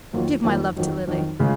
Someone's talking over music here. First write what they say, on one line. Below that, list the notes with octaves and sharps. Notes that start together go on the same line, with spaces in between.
Give my love to Lily.
F2 D#3 F#3 A#3 F4
F2 D#3 F#3 A#3 F4
F2 D#3 F#3
F2 D#3 F#3
C#3 G#3 C#4 F4